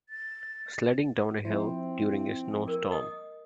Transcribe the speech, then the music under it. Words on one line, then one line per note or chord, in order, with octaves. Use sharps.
Sledding down a hill during a snowstorm.
A6
F3 C4 E4 C5
A#4
D#5 D#6